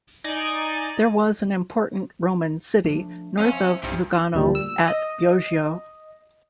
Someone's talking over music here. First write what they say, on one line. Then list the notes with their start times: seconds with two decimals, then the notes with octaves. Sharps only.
There was an important Roman city north of Lugano at Bioggio.
0.24 D#4 D5 G#5
2.85 F3 A3 D4
3.39 F3 C4 C#4 C5 E5
3.83 B1 G2 C4 D#4 E4
4.34 D2 A#2 G3
4.55 E6
4.88 D#5